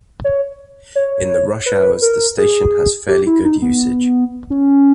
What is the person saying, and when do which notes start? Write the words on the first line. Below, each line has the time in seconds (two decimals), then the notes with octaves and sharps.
In the rush hours the station has fairly good usage.
0.24 C#5
0.96 C#5
1.66 B4
2.02 A#4
2.38 G#4
3.08 G4
3.26 E4
3.45 D#4
3.62 B3
4.50 C#4